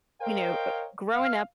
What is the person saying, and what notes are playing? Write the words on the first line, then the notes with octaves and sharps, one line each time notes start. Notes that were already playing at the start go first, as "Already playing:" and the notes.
you know, uh, growing up
A#4 C5 C#5 D#5 F5 G5
F5